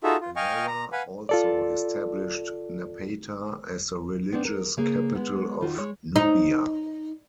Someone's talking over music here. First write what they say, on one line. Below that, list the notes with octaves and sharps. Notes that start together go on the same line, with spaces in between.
Alara also established Napata as the religious capital of Nubia.
D#4 F4 F#4 G#4 A4 E5
F4
D#5 F5 G5 G#5 C#6 F6
A#5
B4 F5 F#5 G#5 B5
F4 A4 D5
B3 C4 D4
A#4
C#3 A#3 G#4
G#3 B3
D#3 F4 F#4
G#3 C#5
D#4